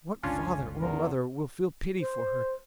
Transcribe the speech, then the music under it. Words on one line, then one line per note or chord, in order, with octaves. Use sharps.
What father or mother will feel pity for her?
G1 C#2 D3 C#4 D4 F4 G#5
E2 A#4
C5